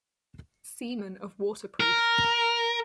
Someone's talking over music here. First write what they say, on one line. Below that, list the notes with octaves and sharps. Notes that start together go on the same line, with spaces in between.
Seaman of Waterproof.
A#4